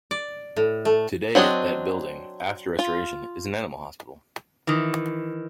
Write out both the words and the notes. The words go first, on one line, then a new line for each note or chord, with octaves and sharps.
Today that building, after restoration, is an animal hospital.
D5
A2
A3
F#3 C4 D4 D#5
F4
D#3 E3